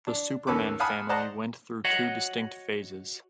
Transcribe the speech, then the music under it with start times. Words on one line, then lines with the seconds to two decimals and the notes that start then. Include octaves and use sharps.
"The Superman Family" went through two distinct phases.
0.07 D4
0.47 D#2 A#3 C#4 A4 B4 D6
0.80 F5 F#5 G#5 A5 B5 D#6
1.09 C5 D5 D#5 F#5 A5 A#5
1.84 F#4 C#5 D#5 F#5